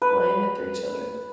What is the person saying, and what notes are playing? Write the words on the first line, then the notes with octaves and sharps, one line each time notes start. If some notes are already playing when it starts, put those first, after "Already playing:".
Lion had three children.
B4